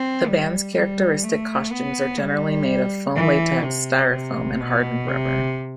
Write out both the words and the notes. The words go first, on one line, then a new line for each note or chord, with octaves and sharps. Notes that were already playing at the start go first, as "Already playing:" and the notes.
The band's characteristic costumes are generally made of foam latex, styrofoam, and hardened rubber.
Already playing: C4
G3
G3
A3
B3
G3
E3
C3
C3
B2
C3